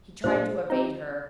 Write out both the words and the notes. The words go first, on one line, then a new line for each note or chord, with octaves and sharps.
He tried to evade her.
A#2 G3 D4 F4 C5
G3 C4 D#4